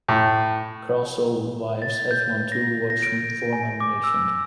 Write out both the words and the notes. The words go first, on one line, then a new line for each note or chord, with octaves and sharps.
Carlso Vives has won two awards from four nominations.
A2
A6
G6
A#6
A#6
D7
G#5
D6
E6